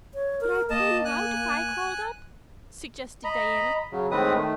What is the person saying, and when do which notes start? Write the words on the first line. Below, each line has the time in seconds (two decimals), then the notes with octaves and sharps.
"Could I pull you out if I crawled up?" suggested Diana.
0.14 C#5
0.41 A#4
0.70 A#3 D#5 A5
1.05 G#5 F#6
3.24 D#5 A#5 B5
3.92 C#3 F#3
4.11 A2 D#3 G#3 C4 B4 D#6
4.34 D#3 A3